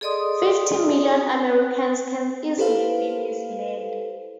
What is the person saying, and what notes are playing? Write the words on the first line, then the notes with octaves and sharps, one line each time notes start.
Fifty million Americans can easily be misled.
G#4 A4 D5 D#5 C6 D#6
E4 G4 A4 B4 C5 F5